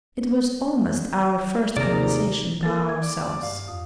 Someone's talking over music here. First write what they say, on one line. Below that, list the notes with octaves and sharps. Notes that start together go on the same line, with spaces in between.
It was almost our first conversation by ourselves.
D#2 C3 C4 D#4 G#4 D5 A#5
A#3 A4 A6
G#6
D5
D5
G2 F5
F2 D#6